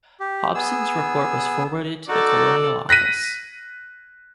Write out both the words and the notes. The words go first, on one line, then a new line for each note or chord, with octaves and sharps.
Hobson's report was forwarded to the Colonial Office.
G4
B3 G#4 E6
D#4 F#4 A4 D5
F#6 A#6 B6 D#7